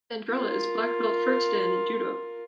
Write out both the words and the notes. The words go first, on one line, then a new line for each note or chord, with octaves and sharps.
Andrulla is Black Belt First Dan in Judo.
F4 A#4